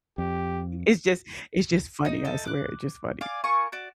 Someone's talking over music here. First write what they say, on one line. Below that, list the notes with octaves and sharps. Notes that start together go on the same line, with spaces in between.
It's just it's just funny, I swear. It's just funny.
F2 G4
D#4 D#5
D#4 A4
D6 F#6
D5 F5 G#5 D6
F4 A#4 G#5 C#6
F#4 D5